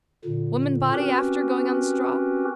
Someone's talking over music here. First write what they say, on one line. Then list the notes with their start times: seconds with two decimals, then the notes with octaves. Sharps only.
Womanbody after going on the straw?
0.25 A#2 D3
0.94 C4 C#4 F#4 G4 A#4 B4